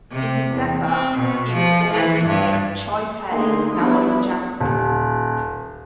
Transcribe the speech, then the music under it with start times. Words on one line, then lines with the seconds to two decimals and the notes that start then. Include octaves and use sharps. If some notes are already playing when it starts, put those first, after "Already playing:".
In December he was ordered to take Chapai Nawabganj.
0.12 C3
0.53 E2
0.87 C4
1.19 B2
1.53 F3
1.92 E3
2.25 G2
3.30 D3 A3 A#3 D#4 G#4 C6
3.71 E3 F3 G3 B3 D4 E4
4.60 D#1